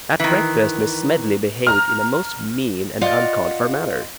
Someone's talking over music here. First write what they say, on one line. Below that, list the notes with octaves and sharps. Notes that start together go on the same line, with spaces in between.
At breakfast Miss Smedley behaved in a most mean and uncalled-for manner.
D#3 E3
A#5 F6
F4 D5 D#5 F5 F#5